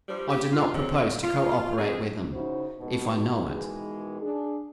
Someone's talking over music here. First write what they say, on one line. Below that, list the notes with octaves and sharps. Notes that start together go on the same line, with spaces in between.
I do not propose to cooperate with them, if I know it.
G2 F3 G3
G4
F4
F#3 G#3 C4 C#4
F4
C4 G#4
C#3 D#4 E4 F#4 C5
G#2 B2
B2 D#3 E3 G#3
D4 G#4